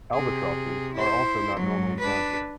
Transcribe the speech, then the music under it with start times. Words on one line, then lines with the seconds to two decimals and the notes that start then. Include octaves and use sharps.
Albatrosses are also not normally found here.
0.13 C3 G#4
0.94 E4 C5
1.56 G#2 F#3
1.99 D4 B4